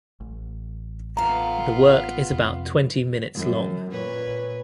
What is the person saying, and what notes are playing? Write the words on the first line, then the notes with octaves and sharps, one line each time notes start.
The work is about twenty minutes long.
A1
B3 F4 A4 F5 A#5
F2 C3
F#2
A#2 B4 C#5